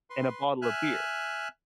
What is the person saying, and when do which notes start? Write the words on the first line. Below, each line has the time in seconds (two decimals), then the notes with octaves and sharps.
and a bottle of beer.
0.10 B4 C6
0.62 E5 G#5 F6 F#6